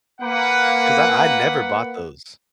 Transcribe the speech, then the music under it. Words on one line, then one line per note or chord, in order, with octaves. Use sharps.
'Cause I I never bought those.
A#3 B4 F#5